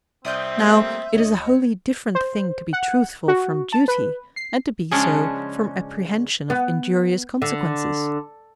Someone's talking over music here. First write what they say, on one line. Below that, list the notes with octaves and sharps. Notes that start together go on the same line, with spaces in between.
Now it is a wholly different thing to be truthful from duty and to be so from apprehension of injurious consequences.
C2 C4 D5 E5 D#6 F6 G6
G3 A3 A#3
D2 C#5 D#5
C5
F#5
F#4
A5
B4
C7
C#3 F3 G#3 C#4 D4
B3
D3